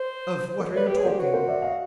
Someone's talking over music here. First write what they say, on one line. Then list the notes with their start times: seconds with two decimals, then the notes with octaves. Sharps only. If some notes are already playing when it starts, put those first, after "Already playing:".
"Of what are you talking?"
Already playing: C5
0.60 C5
0.68 C#5
0.76 B4 C5 D5
0.87 G4
0.90 B4 C#5
0.98 G#4
1.05 G4 C5 D5
1.19 F#4 B4 C#5
1.34 A#4 C5
1.48 D5 E5
1.62 D#5 F5